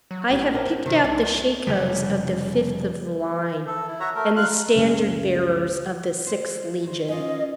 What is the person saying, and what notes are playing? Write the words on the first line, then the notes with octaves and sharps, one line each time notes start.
I have picked out the shakos of the fifth of the line, and the standard-bearers of the sixth legion.
F#3
A1 A2 G4
C4 D4 A#4
C3 D#3 F3
C2 A3 D#4 D5
F4
F1 C#3 G3
A4
E4
F#4 C#5 E5 A#5
A3 A#4
F4 F5 F#6
C#2 F#2 C#3 G#3
C5
F#3 C5
C#4 F4 D#5